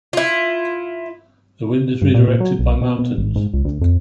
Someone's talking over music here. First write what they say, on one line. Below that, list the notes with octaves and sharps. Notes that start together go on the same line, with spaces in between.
The wind is redirected by mountains.
E4 F4
G2
A#2
A#2
F#3
B1
B2
B2
G#1
G#2
C#2
D2
F2